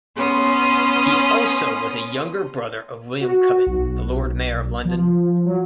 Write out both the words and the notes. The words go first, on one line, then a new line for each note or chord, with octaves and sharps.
He also was a younger brother of William Cubitt, the Lord Mayor of London.
B3 C#4 C6 D#6
F#4
B1
F3
F#3